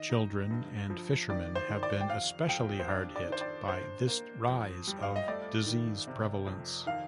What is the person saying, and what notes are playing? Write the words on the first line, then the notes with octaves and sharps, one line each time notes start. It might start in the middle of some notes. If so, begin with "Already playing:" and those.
Children and fishermen have been especially hard hit by this rise of disease prevalence.
Already playing: D#3 D#5
D#4
G2
F3
D#3 D5
C5
D#3
D5
G5
F2 F5
F2 G5
C5
D4 D5
D5
D#3 C5
D5
D4 C5
A#3
F2
G3
F5
D#5
A3 D5
D#3
C3
F2
D#3 F5